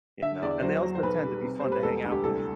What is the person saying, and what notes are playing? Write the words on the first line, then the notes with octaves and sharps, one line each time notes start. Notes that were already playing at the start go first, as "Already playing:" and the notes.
You know? And they also tend to be fun to hang out with.
D3 E5
E2 D5
F#3 C5
F#3
C5
B1 B4
G3
C3
G3 C5
B4
E1 A4
D2
G4
C2 A4